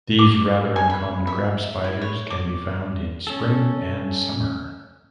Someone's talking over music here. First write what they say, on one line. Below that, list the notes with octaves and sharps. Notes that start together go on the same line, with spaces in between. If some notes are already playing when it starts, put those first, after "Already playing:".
These rather uncommon crab spiders can be found in spring and summer.
D6
G#5
B5
E5
E4
C#5
D6
C#4 A4